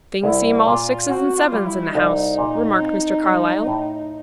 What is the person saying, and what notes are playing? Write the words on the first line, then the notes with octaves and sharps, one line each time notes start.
"Things seem all sixes and sevens in the house," remarked Mr. Carlyle.
C2 E4
A#2 F4
C4 F#4
F4
G3
E4
C2 D#4
A#2
C4
G3
A2